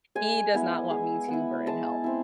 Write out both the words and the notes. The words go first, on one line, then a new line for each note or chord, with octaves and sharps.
he does not want me to burn in hell.
G#3 G#5
B3 E4
G#3
B3 E4
G#3 A5
C4 E4